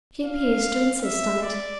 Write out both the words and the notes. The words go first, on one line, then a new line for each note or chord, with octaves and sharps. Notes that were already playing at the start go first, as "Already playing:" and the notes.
"She appears to insist on it."
F5
E5
D5